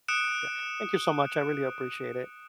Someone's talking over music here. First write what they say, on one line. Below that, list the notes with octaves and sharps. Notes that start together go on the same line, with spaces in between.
Yeah. Thank you so much, I really appreciate it.
D#6 F#6 C#7 D7 E7